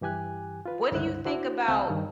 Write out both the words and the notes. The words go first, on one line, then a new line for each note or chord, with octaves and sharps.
What do you think about
G2 E3 G4 G#5 F#6
F4 B4
C#2 G2 D3 E4 C5 F#6
D4 E4 F#4 C5
C#2 C4 F5 F6
G2 D#3